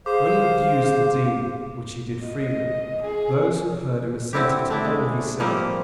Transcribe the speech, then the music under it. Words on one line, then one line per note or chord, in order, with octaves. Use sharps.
When he abused the Dean, which he did freely, those who heard him assented to all he said.
G#4 C5 F5 D6
D#5
G#4
D3 C4 E4 G4
A3 D4 E4
G#3
F3 G3 A#3 C4